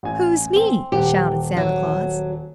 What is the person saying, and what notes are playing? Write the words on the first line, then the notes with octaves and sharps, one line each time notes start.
"Who's me?" shouted Santa Claus.
A1 G#5
C4
D#1 G4 F#5
F#3